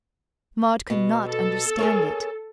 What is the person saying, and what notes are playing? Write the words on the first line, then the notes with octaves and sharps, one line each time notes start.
Maud could not understand it.
B2
A4
G#4 A#4 C#5